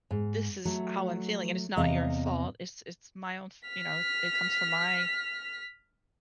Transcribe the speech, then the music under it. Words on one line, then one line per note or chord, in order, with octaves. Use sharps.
"This is how I'm feeling and it's not your fault, it's it's my own f you know, it comes from my
G#2
F#3 A3
E2 C3 D#5 F5 A#5
F6 B6